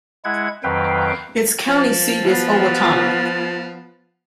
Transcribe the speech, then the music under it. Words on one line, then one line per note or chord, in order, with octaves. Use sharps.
Its county seat is Owatonna.
G#3 E4 F#5 G#6
F2 D#3 F#3 B4 F5 G5
F3 A5
B3 F4